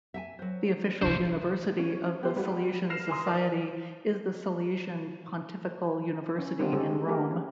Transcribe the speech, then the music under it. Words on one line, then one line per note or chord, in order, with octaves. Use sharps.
The official university of the Salesian Society is the Salesian Pontifical University in Rome.
E5 G5 G#5
F#3 C5
A2 C3 A#3 D4 E4 C5
C#4
B3 G4 C5
G3 G#3 F#4
F6 A#6 C7 E7 F7
G#5 A#5 C6 D#6
A#4 D5 F5
C#4
G3 B3 C4 D4 D#4 F4
D3 G#3 C#4 G4 A4
G#3
A3 A#3 E4 G4 G#4 A#4
C#4